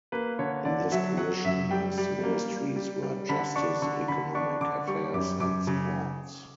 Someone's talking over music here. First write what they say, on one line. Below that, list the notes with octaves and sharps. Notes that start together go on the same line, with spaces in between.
In this position his Ministries were Justice, Economic Affairs and Sports.
A#3 B4
D3 C#5
D3 D5
F#3 E5
F#3 F#5
F#2 E5
G3 G5
G3
A#3
G3
G3
G3
D3 B5
D4 C#6
D3 C#6
D3 B5
D4 C#6
D3 D6
G3 C#6
F#2 D6
F#2 D6
C#3